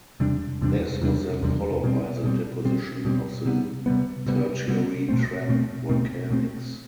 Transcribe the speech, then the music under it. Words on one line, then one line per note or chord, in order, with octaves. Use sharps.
This was then followed by the deposition of the Tertiary Trap Volcanics.
E2 C3 G3 D4
E2 C3 G3 D4
E2 C3 G3 D4
E2 C3 G3 D4
B2 G3 C4
B2 G3 C4
B2 G3 C4
B2 G3 C4
C3 G3 B3
C3 G3 B3
C3 G3 B3
C3 G3 B3
B2 A3 C4
B2 A3 C4
B2 A3 C4
B2 A3 C4